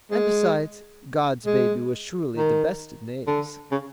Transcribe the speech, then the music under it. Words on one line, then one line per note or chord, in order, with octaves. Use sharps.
And, besides, God's baby was surely the best of names!
G#3
G#3
D#3
D3
C#3